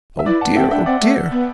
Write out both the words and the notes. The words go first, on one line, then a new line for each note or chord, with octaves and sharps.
Oh, dear, oh, dear!
E5
E4 B4 D5
F#5 A5
C4 E5 G5
D4 E5 G5
C4 D5 F#5
A3
B3